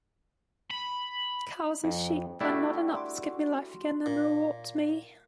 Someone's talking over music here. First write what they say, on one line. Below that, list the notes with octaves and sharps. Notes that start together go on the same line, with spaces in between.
Cows and sheep are not enough to give me life again and reward me!
B5
F2
G3 A3 D4 E4 F#4
C6 D6
A#2